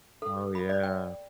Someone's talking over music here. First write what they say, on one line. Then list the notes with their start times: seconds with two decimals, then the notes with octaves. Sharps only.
Oh, yeah.
0.22 A4
0.55 B5
0.69 D5
0.83 G5